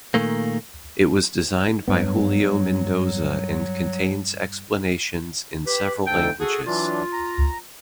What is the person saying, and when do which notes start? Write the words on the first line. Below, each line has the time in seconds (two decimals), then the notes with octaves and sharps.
It was designed by Julio Mendoza and contains explanations in several languages.
0.14 A#2 D#3 A3 A#3
1.88 G2 F#3 B3
5.66 G4 B4
6.07 D2 G#2 A4 G5
6.40 F#4 G#4 A4 F#5
6.66 E3 F#3 D4 F4
7.13 A#5